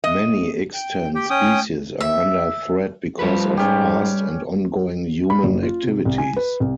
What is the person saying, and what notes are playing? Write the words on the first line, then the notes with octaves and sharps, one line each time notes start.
Many extant species are under threat because of past and ongoing human activities.
D#5
G5
G4 G5
C#4 G5 D#6
E5
F3 G3 A3 B4
G#2 C#4 G4
B5
F#1
F4
C3
C2
G#5
B4
C2